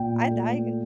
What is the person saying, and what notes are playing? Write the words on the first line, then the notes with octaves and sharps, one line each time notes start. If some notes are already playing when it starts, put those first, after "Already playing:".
I I
Already playing: A#2 G5
A3